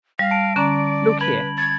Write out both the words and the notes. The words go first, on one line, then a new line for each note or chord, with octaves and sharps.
Look here!
G3 F5 A#6
A5 D7
D3 C#4 D5 A#5
B4 B5 G#6 F#7
G#6 A6